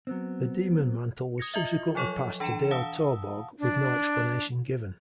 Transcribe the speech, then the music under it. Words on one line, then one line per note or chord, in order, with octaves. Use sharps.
The Demon mantle was subsequently passed to Dale Torborg with no explanation given.
F#3 B3 C4
D#6 G#6 A#6 C#7
F4 D#5 E5
F3 F#3 A4 C#5 C#6
E3 D4 G5 A#5 C#7 E7
F5 F#5 A5 D#6 E6
D4